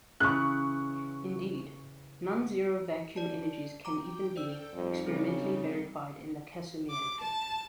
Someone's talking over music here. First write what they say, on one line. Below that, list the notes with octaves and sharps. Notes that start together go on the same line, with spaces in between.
Indeed, nonzero vacuum energies can even be experimentally verified in the Casimir effect.
C#3 E3 C#6 F#6
D5 A5
G5 A#5 D6
A4 C5 D5 G5 E6
F2 G3 D#4
C#3 C4 A4
D6
A5